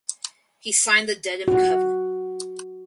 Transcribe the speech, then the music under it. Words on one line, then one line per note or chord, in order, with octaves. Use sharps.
He signed the Dedham Covenant.
F#4